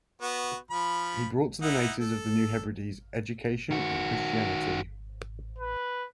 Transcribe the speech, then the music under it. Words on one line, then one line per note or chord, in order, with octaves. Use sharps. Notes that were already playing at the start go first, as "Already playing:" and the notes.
He brought to the natives of the New Hebrides education and Christianity.
B3 F#4
F3 B5
D#4 E4 F#5
A4
D#3 F#4
B4